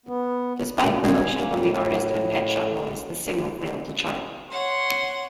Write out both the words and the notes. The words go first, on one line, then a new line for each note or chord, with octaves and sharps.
Despite promotion from the artist and Pet Shop Boys, the single failed to chart.
B3
A#2
G#5
A#3
A2
C#5 F#5 C6